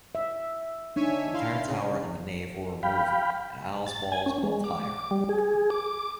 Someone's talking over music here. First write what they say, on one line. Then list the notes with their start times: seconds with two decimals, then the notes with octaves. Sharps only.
The entire tower and the nave were removed and aisles walls built higher.
0.15 E5
0.96 D4 D#4 C#5 E5 G#5
1.33 E4 F5 C6
1.67 C#3
2.83 F5 G5 B5
3.87 A6
4.12 G#5
4.26 C#4
4.43 G#3
4.64 D6
5.11 G3
5.29 G#4
5.70 D6